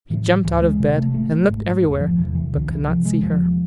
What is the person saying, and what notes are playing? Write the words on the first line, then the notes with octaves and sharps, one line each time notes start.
He jumped out of bed, and looked everywhere, but could not see her.
A2 E3
D2 E3
G#3
C3
A3
G#1 A3
G#2
E1
F3
E2 C3 E3
E3
C2 D3
E3
C3 F3
G#3
E1 F3